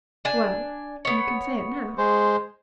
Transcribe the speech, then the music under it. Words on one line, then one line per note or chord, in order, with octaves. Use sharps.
"Well;--you can say it now."
D4 G#5
B3 C#5
G#3 C5